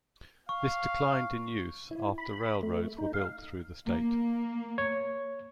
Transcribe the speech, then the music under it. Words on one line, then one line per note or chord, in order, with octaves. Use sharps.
This declined in use after railroads were built through the state.
F5 C#6
E4
B5
A3
D#4
F5
A#3
C#5